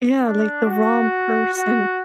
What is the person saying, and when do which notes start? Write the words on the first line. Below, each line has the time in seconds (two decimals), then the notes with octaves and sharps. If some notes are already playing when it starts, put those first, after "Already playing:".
Yeah, like the wrong person.
0.22 D4
0.66 F#4
1.54 F#4